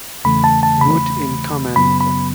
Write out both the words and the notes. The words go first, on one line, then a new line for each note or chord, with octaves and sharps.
Wood in command.
E2 C#3 E3 A3 B5
A5
A5
B5
F#2 C#3 F#3 B3 B5
B5